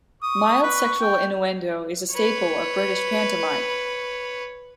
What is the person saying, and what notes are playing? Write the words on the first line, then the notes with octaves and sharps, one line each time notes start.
Mild sexual innuendo is a staple of British pantomime.
C#6 D#6
B4
G5
B4 C#5